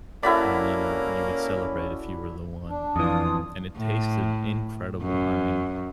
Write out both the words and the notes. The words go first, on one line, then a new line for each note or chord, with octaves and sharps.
And, you know, you would celebrate if you were the one, um, and it tasted incredible. I mean,
A#3 C#4 E4 F#4 A4 D5 B5
D4
F2 E3 F4 D#6
A2
F#2